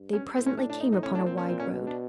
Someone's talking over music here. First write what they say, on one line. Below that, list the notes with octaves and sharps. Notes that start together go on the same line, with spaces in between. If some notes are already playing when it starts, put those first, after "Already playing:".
They presently came upon a wide road.
Already playing: G2
C#4
A2 C4
C#4
D4
D4
D#4
D#4
C#4
D4
A#2 C4
C#4
C4
C#4
B2
D4